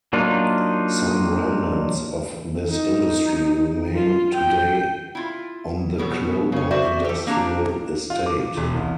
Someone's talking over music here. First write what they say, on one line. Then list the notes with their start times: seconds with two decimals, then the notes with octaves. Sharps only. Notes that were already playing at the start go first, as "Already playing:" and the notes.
Some remnants of this industry remain today on the Clober Industrial Estate.
0.13 F#3 A#3 D4 D#4 F4
2.70 D#4
3.95 F4
4.35 G5
5.15 E4 F4
5.98 B2 F#3 B3
6.52 C#3 C#4
6.71 F#4 C5 D5 E5
7.05 G4 A4
7.27 A#3 D4 G4 A#5
8.10 F4
8.26 D6
8.57 E1
8.74 C2